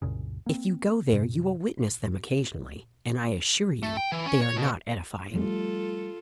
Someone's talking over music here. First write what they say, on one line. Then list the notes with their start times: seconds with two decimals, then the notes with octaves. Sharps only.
If you go there you will witness them occasionally, and I assure you they are not edifying.
0.02 C2 F#2 A#2 C#3
0.46 A#3 C4
1.12 F#2 C3
3.83 A3
3.97 G5
4.12 E3
4.26 C#4
4.41 C#5
4.56 B2
5.34 F3 G3 A3 F4 A4